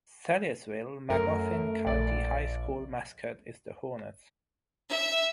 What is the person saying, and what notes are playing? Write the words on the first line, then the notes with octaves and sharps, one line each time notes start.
Salyersville's Magoffin County High School mascot is the Hornets.
F#2 A3 A#4
A#1 D5
E5